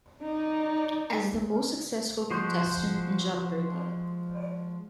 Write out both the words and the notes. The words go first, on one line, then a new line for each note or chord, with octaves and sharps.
As the most successful contestant in Jeopardy!
D#4 D5
F3 G#3 F#4 C5